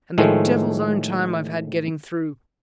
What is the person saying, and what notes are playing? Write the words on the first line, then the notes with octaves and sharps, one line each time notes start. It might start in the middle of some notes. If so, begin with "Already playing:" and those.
And the devil's own time I've had getting through.
A2 D#3 F3 G#3 A3